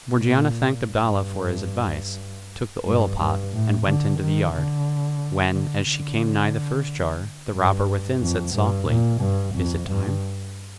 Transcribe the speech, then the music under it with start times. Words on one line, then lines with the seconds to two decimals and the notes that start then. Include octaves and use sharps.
Morgiana thanked Abdalla for his advice, took the oil-pot, and went into the yard; when, as she came nigh the first jar, the robber within said softly, "Is it time?"
0.17 A#2
0.85 G2
2.86 G2
3.19 G2
3.53 A2
3.86 D3
4.20 D#3
4.53 D3
5.53 D3
5.87 D3
7.54 G2
8.20 F2
8.54 G2
8.87 A#2
9.21 G2
9.55 F2
9.89 G2